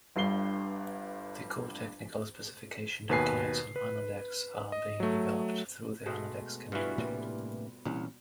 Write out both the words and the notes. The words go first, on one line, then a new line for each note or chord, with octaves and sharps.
The core technical specification documents on Annodex are being developed through the Annodex community.
G1 G2 C7 G7
D#2 B2 B4 G#5 C7
B4
D#5
F#3 A3
B2 G#3 A3
G2 E3 F4 F#4 B4
A2 C3 G3 A#3
C2 A#2 E3 C#4